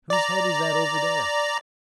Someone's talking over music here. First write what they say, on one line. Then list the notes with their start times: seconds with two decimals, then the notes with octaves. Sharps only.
"Whose head is that over there?"
0.10 D5 A#5